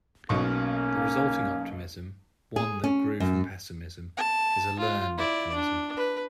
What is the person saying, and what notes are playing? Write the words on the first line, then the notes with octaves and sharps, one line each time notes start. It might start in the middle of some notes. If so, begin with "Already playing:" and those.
The resulting optimism-one that grew from pessimism-is a learned optimism.
B1 B2 A#3 C#4 C#6
G#4
C#4
F#2
A5
F4
E4 D5
D4
B4